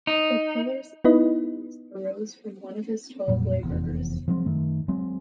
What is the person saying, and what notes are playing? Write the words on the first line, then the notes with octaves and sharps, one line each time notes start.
The pillars of Hercules arose from one of his twelve labours.
D#4
B3 D#4 E4 B4 D#5
F2 A#2 F#3 G3
F1 E2
F3 F#3 G#3 C4
F#2 D#3 A3
F#3 G#3 C4